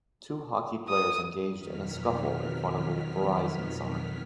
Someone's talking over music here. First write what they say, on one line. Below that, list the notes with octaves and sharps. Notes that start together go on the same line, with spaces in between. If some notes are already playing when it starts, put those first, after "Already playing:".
Two hockey players engaged in a scuffle in front of a Verizon sign.
D#6
F2 B2 D#3 F#3 F6 B6